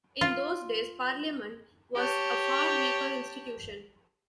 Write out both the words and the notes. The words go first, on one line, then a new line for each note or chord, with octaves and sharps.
In those days, Parliament was a far weaker institution.
F4
G4 C#5 A5